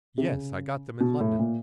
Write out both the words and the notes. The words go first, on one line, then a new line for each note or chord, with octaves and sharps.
"Yes, I got them in London."
C3
C#3
B2
A2
A#2